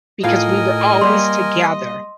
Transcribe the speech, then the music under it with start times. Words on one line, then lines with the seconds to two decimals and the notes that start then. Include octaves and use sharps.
because we were always together.
0.24 A2 F4 A#4 D#5 F5 G#5
1.01 G3 A#3 G4 C6